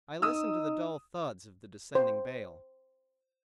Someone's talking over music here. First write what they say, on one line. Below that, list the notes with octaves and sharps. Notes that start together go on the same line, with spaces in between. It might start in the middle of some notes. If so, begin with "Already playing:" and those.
I listened to the dull thuds of the descending bale.
D#4 D#6 E6
C5